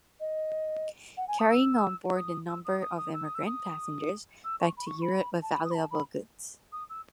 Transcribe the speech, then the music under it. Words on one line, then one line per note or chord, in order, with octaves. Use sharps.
Carrying on board a number of emigrant passengers back to Europe with valuable goods.
D#5
F#5
G#5
D#6
E6
D#6
E6
D#6
D#6
D#6
E6
D#6
E6
D#6
E6
C#6
B5
C#6
C#6
B5
A5
B5
D#6
B5
A5
B5
D#6
E6